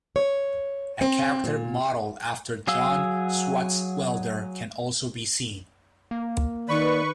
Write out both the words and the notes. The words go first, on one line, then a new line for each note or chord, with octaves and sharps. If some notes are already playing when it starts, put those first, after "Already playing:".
A character modeled after John Swartzwelder can also be seen.
C#5
C4
A#2
F#3 G#4 F5 E6
A#3
D#3 B4 D5 C#6